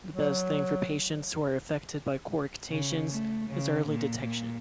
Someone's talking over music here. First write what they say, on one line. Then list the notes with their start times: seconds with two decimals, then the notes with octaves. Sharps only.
The best thing for patients who are affected by coarctations is early detection.
0.11 F#3
2.70 C#3
3.10 A3
3.50 C#3
3.89 A#2
4.22 A#2